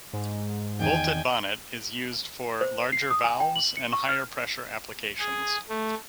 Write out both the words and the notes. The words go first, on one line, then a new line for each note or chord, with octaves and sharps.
Bolted bonnet is used for larger valves and higher pressure applications.
G#2
E2 D#3 D#4 G5 G#5
C5
C7
D#6
G#5
G5
F#7
C#7
C#6
F6
G#4
A3